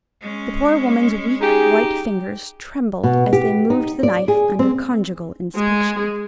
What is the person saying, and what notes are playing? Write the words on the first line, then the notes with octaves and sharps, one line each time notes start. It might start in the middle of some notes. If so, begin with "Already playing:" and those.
The poor woman's weak white fingers trembled as they moved the knife under conjugal inspection.
G#3 C#4
D#4 G4 G#4
B2
G4
D#4
D5
G#4
C4
G#3 G#4